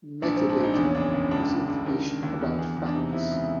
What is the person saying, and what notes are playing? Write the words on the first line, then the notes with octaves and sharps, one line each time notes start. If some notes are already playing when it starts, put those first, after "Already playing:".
Metadata is information about facts.
A#1 D4
G#2 C4
D4
A#1 D#4
E2 D4
C#4
F#1 D4
F#1
C#2 D4
C#2
C#2
D#3
D#3
D#2
E2
E2
E2
D4
C3 D#4
C3 E4
C#2